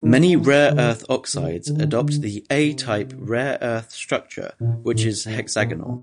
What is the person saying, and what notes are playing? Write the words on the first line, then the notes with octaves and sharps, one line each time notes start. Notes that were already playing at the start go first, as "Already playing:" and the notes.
Many rare earth oxides adopt the "A-type rare earth structure" which is hexagonal.
D#3
F3
E3
D3
C#3
D3
D#3
D3
D3
C3
A#2
A2
A2
A#2
B2